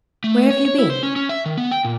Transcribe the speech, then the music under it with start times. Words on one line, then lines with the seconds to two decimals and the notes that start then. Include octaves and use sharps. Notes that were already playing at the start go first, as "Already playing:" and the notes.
Where have you been?'
0.24 A3
0.51 C#5
0.65 C#5
0.78 E4
0.90 C5
1.03 C#4
1.16 C#4
1.29 E5
1.46 D#3
1.58 B3
1.71 G5
1.84 A#2